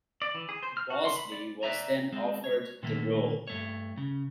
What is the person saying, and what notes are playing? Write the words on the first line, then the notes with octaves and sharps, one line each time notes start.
Bosley was then offered the role.
D5
E3
G#4
C5
F6
F#4
C6
B5
D5
B4 C5 D5 E5 G#5 A#5
G#3 C4
C#5
A#2 D3 D#3 A3 A#3
G2 A3 C#5
C#3